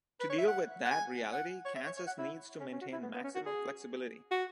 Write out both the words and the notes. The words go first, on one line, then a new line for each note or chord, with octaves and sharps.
To deal with that reality Kansas needs to maintain maximum flexibility.
B4
C#5
E5
F#5
F#5
G#5
F#5
C#5
E5
C#5
C#5
F#5
E4
C#4
C#4
F#4
E4
B3
B3
C#4
F#4
G#4
F#4